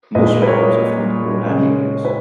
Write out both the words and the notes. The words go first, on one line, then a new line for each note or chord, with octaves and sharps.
Most records are from lowland areas.
A#2 G#3 B4 D#5
B4
A#4 C#5
C#3 G#3
B4